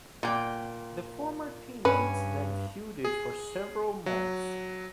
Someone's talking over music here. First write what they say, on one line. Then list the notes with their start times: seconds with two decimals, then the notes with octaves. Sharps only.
The former teammates then feuded for several months.
0.23 A#2 G5
1.85 G2 C#4 B4
3.05 G#4
4.06 F#3